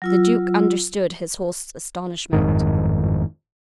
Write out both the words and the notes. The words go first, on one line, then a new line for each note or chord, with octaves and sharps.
The duke understood his host's astonishment.
F#3 F4 E6
G1 F2 G#2 D#3